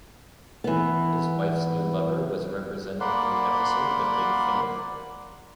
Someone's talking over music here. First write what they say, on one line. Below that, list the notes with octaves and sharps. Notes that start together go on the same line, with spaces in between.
His wife's new lover was represented in the episode The Big Finish?
E3 B3
A#3 D5 F#5 B5 C6 F#6